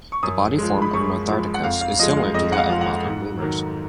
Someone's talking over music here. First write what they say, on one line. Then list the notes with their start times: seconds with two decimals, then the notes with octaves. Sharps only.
The body form of "Notharctus" is similar to that of modern lemurs.
0.12 C#6
0.23 F#2 D#6
0.58 F3 G#3
0.82 B5
0.93 F#2 C#6
1.29 F3 G#3
1.54 F#5
1.64 F2 F5
1.81 F5
1.99 F3 G#3 D#5
2.17 F5
2.34 F2 D#5
2.52 F#5
2.58 F5
2.69 F3 G#3 F5
2.81 F#5
3.05 G#2
3.40 D#3 F#3